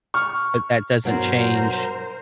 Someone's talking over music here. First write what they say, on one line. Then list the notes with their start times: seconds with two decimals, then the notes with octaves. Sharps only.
but that doesn't change,
0.14 C#6 F6
1.05 G2 B2 F#3 A#4 C5